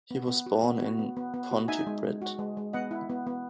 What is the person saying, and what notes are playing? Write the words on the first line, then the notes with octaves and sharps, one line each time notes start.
He was born in Pontypridd.
B3
B3
F#4
B3
F#4
B3
B3
B3
F#4
D#4 E5 G#5
G#3
G#3
F#4
G#3
G#3
B3 D#5 F#5
E4
B3
B3